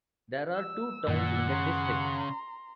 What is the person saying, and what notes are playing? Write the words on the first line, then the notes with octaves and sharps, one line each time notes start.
There are two towns in the district.
E6
F#2 A#2 D#3 F#5
C#3 A#5 C6